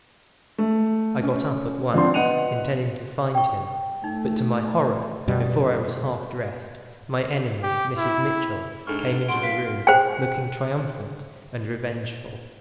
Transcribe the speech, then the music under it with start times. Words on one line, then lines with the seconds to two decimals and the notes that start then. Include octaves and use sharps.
I got up at once, intending to find him; but, to my horror, before I was half dressed, my enemy, Mrs. Mitchell, came into the room, looking triumphant and revengeful.
0.58 A3
1.23 C#4
1.94 D3 F3 C4 D4 F4 C6
2.14 B3 D#5 F#5 D#7 F7
3.35 G5 C#6
4.04 A3 D#4
5.27 F#2 B2 G3
7.63 G4
7.98 E4
8.87 G#2 D4 A4 C#6 F6
9.29 F#2 F#5 C6 D7
9.42 B4 F5 B6 D7
9.87 C5 G5